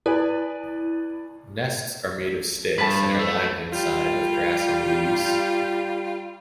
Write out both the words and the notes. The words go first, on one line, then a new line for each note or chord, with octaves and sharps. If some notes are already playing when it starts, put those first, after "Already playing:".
Nests are made of sticks and are lined inside with grass and leaves.
E4 B4 D5 G#5
G2 B4 A5
A3
G3 F4